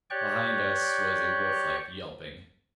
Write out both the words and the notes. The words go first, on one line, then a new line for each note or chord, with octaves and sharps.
Behind us was a wolflike yelping.
G4 C#5 D5 G5 C#6 F#6